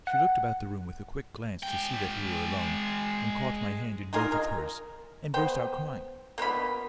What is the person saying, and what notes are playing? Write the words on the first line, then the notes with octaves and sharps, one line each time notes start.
She looked about the room with a quick glance to see that we were alone, then caught my hand in both of hers, and burst out crying.
F#5
G#3 G5
D#4 F4 G#4 A#4
A#4
B3 C5 G5
A#3 B3 F4 B5